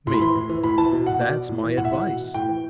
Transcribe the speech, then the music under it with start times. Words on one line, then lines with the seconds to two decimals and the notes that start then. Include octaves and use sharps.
ME: That's my advice.
0.07 A2 C6
0.14 B5
0.21 E3 C6
0.35 A2
0.49 E3
0.64 A2 B5
0.78 E3 A5
0.92 B2
1.06 F#5
1.20 B2 D5
1.49 A2
1.63 E3
1.77 A2 F#5
1.85 E5
1.92 E3 F#5
2.06 B2
2.34 A2 G5
2.48 E3